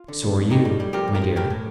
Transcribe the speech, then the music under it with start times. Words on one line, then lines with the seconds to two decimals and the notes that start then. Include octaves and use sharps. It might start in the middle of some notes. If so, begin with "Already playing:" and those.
So are you, my dear.
Already playing: F4
0.08 D3
0.23 F2
0.37 F2
0.50 A2 D#4 G4
0.65 G3
0.80 G3
0.93 F3 G4 A#4
1.08 F2
1.15 G4 A#4
1.22 F3
1.36 A2 G4 A#4
1.50 A2